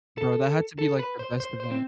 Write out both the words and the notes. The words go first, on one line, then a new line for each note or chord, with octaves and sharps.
Bro, that had to be, like, the best event.
A4
A4
B4
C5
C5
C5
C4